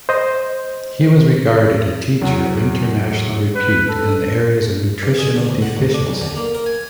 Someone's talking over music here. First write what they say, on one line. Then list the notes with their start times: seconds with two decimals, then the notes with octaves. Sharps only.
He was regarded a teacher of international repute in the areas of nutritional deficiency.
0.09 C5 D#5
2.22 E2 F#3
3.55 B4
3.88 A4
5.03 G2
5.19 G#4
5.36 D3
5.49 D2
5.62 F#5
5.77 D2
5.94 D4
6.07 B1
6.21 D3
6.37 A#3
6.55 A#4
6.66 G#5